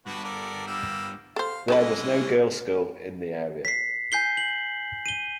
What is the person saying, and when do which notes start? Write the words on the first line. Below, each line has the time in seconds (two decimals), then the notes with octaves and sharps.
There was no girls' school in the area.
0.06 G2 B3 D4 F#4 B4
0.24 A4 A#4 D5
0.67 G3 A#3 E6
1.36 A4 C5 F5
1.68 C2 E3 G#3 C#4 D#4 A4 B4 D#5
3.65 B6 C7
4.12 G#5 G6 C7 G7
4.37 F#7
5.06 D#7 G7